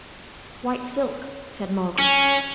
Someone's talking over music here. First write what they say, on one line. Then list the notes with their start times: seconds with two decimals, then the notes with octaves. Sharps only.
'White silk,' said Margaret.
1.99 C#4